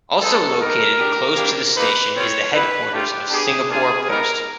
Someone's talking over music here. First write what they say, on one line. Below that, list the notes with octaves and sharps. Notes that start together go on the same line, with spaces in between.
Also located close to the station is the headquarters of Singapore Post.
G#3 B3 D#4 A4
B3 D#4 G4 A#4
B3 D4 G4
G3 A#3 D4 G4
G3 A#3 D#4 B4
C4 F4 C#5
G3 B3 E4 G4 B4
A3 D4 F4 G4
B3 D4 G4 G#4
A#3 D4 F4 G#4
B3 D#4 G4 A#4